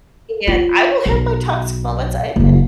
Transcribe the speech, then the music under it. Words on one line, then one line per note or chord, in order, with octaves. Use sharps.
And I will have my toxic moments, I admit it.
F4
B1
F#1 F#3